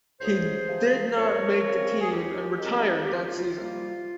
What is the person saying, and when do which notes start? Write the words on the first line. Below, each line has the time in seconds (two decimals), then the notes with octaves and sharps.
He did not make the team and retired that season.
0.21 C#2 G#4 C5
0.69 C3 F3
1.15 F2 A#4 C#5
1.64 C#3 F3 C4
2.00 G#4
2.11 D#2 G4
2.57 D#3 G#3 C4 F4
3.05 C#2 G4
3.13 F4
3.26 F4
3.53 C3 G3 A#3